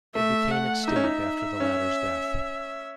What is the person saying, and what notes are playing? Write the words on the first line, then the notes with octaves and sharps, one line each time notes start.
It became extinct after the latter's death.
A3 E5
F#5
D#4 E5
C#4
D#4
C#4